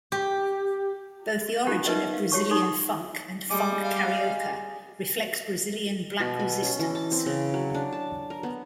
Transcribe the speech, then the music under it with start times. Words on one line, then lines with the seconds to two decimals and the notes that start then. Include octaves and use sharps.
Both the origin of Brazilian funk and "Funk carioca" reflects Brazilian black resistance.
0.12 G4
1.67 C#4 D#4 F4 G4 F#5 B5
1.85 D#4 A#4 B4 D#5 E5 F#5
2.14 F5
2.32 F#4 G4 C#5 A5 C#6
2.51 D#4 A4 C6
2.63 F#5
3.50 G3 G#3 D6
3.82 F5
6.20 B2
6.40 G#5
6.63 C#4
6.79 E3
6.95 A5
7.12 C4
7.26 C#3
7.54 F#3
7.74 D4
7.93 A5
8.30 A#4
8.43 B3